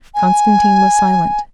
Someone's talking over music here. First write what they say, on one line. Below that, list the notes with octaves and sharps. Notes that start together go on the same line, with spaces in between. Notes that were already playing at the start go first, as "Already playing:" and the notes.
Konstantin was silent.
G#5